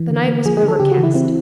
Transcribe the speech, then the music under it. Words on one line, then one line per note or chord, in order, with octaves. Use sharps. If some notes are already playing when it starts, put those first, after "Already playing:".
The night was overcast.
Already playing: E3
D3
A#3
F3 G#4
G#4
D3
A4
C#3 G4
F#4
E3
E4
C4 E4